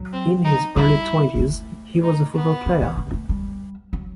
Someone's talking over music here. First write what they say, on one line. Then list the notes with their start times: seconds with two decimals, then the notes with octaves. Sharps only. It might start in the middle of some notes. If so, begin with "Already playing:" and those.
In his early twenties he was a football player.
Already playing: F#3
0.13 C4
0.44 D#4
0.76 G3 E4
1.35 G3
1.40 A3
2.03 D#4
2.35 B3
2.66 A3
2.82 E3
2.98 G3
3.13 A3
3.29 G3
3.93 F#3